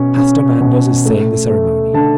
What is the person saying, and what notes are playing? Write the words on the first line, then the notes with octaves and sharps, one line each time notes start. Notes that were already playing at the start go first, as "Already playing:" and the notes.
Pastor Manders is saying the ceremony.
Already playing: B2 C#4
C#4
B2
A3
A3
D3 A5